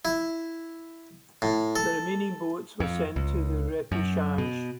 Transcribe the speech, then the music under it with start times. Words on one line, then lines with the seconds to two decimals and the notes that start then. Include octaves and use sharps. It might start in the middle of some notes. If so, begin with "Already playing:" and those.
The remaining boats were sent to the repechage.
0.05 E4
1.42 A2
1.76 A4
2.80 F2
3.16 C#2
3.92 F#2
4.38 B2